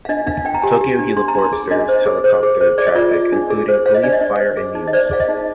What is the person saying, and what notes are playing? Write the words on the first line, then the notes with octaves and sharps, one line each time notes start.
Tokyo Heliport serves helicopter traffic, including police, fire, and news.
F5
D4 D#5
D4 F5
D4 G5
A#5
G4 G#5
G4
D4
D4 C6
A#5
D4 C6
G#4
D4 D#5
C5
G#4
C5
G#4
C5
G#4 D5
D#5
F4 D5
G#4
D4
G#4
C5
C5 F5
D#5
D4 D5
D#5
D4
C5
G#4
D#4
D#5
C5 D5
G#4 F5
D#5
D#4